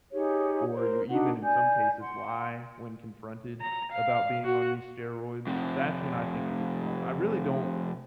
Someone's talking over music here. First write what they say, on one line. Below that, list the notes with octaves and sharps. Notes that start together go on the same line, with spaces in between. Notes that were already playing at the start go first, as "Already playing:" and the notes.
or you even, in some cases, lie when confronted about being on these steroids, that's when I think it gets wrong, I really don't
D#4 G4 G#4 C#5
A#4 C5
D4 D#4 F#4 F#5
D5 G#5 G6
F#5 C6
A#5
F5
F#4
F2 C3